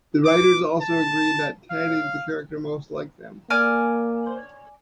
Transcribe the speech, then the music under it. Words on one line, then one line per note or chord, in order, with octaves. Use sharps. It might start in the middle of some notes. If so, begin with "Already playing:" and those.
The writers also agree that Ted is the character most like them.
D6
A5
F5
A#3 D5 G#5 F6